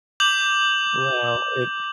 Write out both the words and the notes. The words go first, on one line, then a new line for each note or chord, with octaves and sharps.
Well, it
D6 G6 F7 F#7